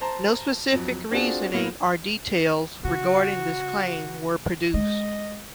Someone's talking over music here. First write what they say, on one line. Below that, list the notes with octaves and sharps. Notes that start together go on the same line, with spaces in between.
No specific reasoning or details regarding this claim were produced.
C5 A5 A#5
F2 F#3
C4 D4 F4 F#4 G#4
A2 A#3 B3
C#3 F#4
G#3 D#5